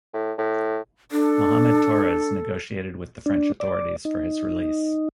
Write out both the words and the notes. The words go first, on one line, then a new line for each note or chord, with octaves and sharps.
Muhammad Torres negotiated with the French authorities for his release.
A2
A2
D4 A4
D4
D5
D#4